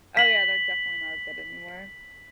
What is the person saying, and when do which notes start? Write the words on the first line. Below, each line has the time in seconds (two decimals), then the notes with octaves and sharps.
Oh yeah, they're definitely not as good anymore.
0.17 B6 F#7